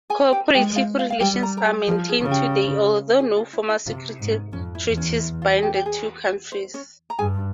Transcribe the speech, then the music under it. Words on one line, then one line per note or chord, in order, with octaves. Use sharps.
Cooperative relations are maintained today, although no formal security treaties bind the two countries.
G#4 G#5
G4 G5
G#3 G4 G5
F4 F5
F4 F5
F5
G3 G4 G5
A#5
A#4 A#5
G#4 G#5
F3 A#4
G#4
C#3 F4
G4
G#4
F4
E4
E4
C3 F4
E4
G#2
C#4
F2 C#4
E4
E2
C#4
E4
F4
G#4
G4
G4
G#4
C5
C#4 C#5
A#5
G2 G#4 G#5